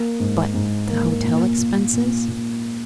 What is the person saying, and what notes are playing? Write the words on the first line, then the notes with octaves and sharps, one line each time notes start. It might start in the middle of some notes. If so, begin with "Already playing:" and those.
"But the hotel expenses?"
Already playing: A#3
G#2
G#2
A#3
A#2
A#2
A#2
A#2